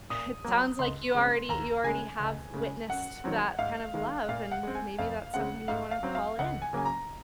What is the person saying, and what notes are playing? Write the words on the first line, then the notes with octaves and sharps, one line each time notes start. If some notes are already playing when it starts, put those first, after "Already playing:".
It sounds like you already you already have witnessed that kind of love and maybe that's something you want to call in.
A#2 D#6
F#3 A#3
C#2 C6
C#3 G#3 C4
D#2 A#5
C#3 G#3 G#5
C#2
C#3 G#3
F#2 F#5
D#3 F#3 C4
G#2 F5
D#3 G#3
A#2 F5
F#5
G#3 C4
G#5
F2 F5
C#3 G#3 C4 F#5
G#2 F5
F5
F#3 C4
F5
C#2 F#5
G#5
C#3 F#3 A#3 G#5
A#5